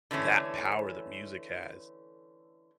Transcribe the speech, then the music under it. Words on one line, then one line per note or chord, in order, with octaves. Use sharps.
that power that music has.
D3 E3 A3 C#4